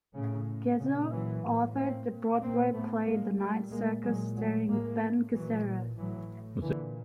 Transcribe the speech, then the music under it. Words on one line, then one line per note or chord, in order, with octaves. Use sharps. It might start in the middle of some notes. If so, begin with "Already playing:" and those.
Gazzo authored the Broadway play "The Night Circus" starring Ben Gazzara.
A2 C#3
A#2 C#3
E3 F#3
A2
A#3 C4
A#2
A#3 C4
A2 A3 B3
G#3 A#3
A#2 G3 A3
G#3 A#3
A#2 F#3 G#3
F#3 G#3
A2 G#3 A#3
A#2 E3 F#3
A2 E3 F#3
A#2 D3 E3